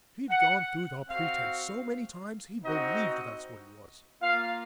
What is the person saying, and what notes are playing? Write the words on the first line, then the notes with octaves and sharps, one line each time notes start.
He'd gone through the pretence so many times he believed that's what he was.
F#5
C4 F#4 F5
C4 D#4 F#4 D#5
A#3 F4 F5